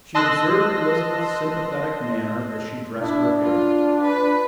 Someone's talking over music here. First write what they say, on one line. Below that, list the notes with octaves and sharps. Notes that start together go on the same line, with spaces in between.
She observed Elizabeth's sympathetic manner as she dressed her hair.
D#5 A5 C6 E6 F#6 A#6
D4 E4
F4
B4